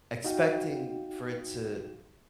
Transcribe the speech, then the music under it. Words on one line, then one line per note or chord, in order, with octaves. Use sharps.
expecting for it to
D#4 F#4 F5 G5